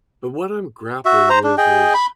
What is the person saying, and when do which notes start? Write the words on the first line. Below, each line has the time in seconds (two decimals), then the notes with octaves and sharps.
but what I'm grappling with is
1.05 F#4 E5
1.30 C5 A#5
1.44 D4
1.58 G#4 D#5 G5
1.94 B5